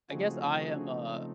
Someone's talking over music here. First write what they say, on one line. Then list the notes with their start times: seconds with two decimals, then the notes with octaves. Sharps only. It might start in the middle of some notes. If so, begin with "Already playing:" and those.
I guess I am a
0.10 C#3 F3 A3 C4 D#4 F#4 G#4
0.57 F#4 G#4